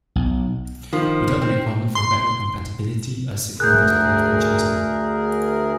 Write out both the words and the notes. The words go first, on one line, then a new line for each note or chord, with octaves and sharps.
Without the requirement for backward compatibility, a simpler method could have been chosen.
B1
D#3 F3
C4
C6
D2 G#4 A#4 F#6 G6